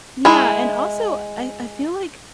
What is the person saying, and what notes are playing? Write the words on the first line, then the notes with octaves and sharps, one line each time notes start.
Yeah, and also I I feel like,
G#3 E4